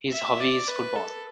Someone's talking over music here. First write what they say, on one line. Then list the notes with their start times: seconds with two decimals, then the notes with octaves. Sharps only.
His hobby is football.
0.12 E5
0.40 D5
0.68 B4
0.95 A4